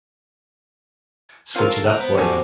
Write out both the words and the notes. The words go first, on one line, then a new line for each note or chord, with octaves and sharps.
switch it up for ya.
F3 F#3 C4 F4 A#4 F5
A4
C#2 F#5 G5 A#5
B3 C5
E2 A2 D#4 F#4 G4 A4 G#5